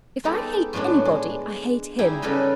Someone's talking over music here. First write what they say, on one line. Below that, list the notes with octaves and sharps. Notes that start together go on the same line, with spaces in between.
If I hate anybody, I hate him.
G#3 B3 D#4 G4 A4
A2 F#3 G#3 B3 D4
G#3
G3 D#4 E4 G#4
C#3 G3 A4 B4 D#5 B5